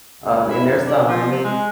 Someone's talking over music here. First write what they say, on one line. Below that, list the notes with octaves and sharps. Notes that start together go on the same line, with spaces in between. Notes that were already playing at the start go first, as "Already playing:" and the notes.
um, and their son,
C#2
E4
F#2
D4
F3
C3
G#3